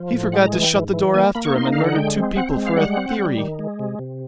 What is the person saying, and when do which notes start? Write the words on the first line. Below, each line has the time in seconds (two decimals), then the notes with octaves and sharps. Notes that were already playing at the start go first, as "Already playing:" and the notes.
He forgot to shut the door after him, and murdered two people for a theory.
Already playing: F3
0.13 A2
0.32 G#3 F#5
0.43 A#5
0.53 E3 G#5
0.63 G5
0.73 G#2
0.93 E3
1.14 A#3 G#5
1.35 A#3 B5
1.45 C#6
1.55 D#4 C6
1.72 D3 F5
1.84 F#5
1.96 G#3 G5
2.16 C4
2.36 C4 F#5
2.57 G#3
2.66 F5
2.77 G3 F#5
2.97 C4
3.19 G3
3.38 D#3
3.59 G#3
3.79 C3
3.99 C3